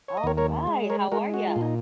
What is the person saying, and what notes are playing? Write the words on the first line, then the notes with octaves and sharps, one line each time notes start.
All right, how are ya?
C#5
D#5
D#2 A#4 C#5
A#4 C#5
G#3
A#4 C#5
G#3 F#4 A#4
F#4
F4
A#2
D#4